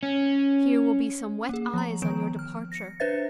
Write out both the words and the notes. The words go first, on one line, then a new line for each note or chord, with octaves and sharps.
Here will be some wet eyes on your departure.
C#4
A#3 G#4
F3 A#5
D#3 F3 B3 D7
F6
A#6 C#7
D4 B4 C5 E5 A6